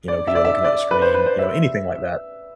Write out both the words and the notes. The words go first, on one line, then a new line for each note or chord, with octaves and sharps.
you know, 'cause you're looking at the screen, you know, anything like that.
D5
E5
D5
E5
D5
B4
C5
B4
C5
E5